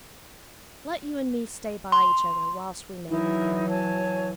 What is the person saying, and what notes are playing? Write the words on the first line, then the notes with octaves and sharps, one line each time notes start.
Let you an' me stay by each other whilst we may, my girl.
C6
E3 F#3 D#4 E4
C#5 G#5 A5